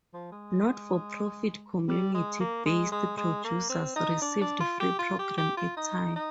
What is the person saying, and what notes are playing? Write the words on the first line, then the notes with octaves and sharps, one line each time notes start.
Not-for-profit community based producers received free program airtime.
F3
G#3
G3
G#3
A#3
G#3
G#3
G#3
A#3
C4
D#4
D4
D4
F4
G4
F4
G4
G4
F4
D#4
D#4